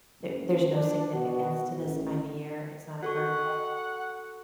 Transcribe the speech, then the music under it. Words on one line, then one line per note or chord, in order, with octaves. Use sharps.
th there's no significance to this time of year, it's not a birthday,
F#1
D4
B2 B3 F#4
A1
F#4 A4 F#5 C#6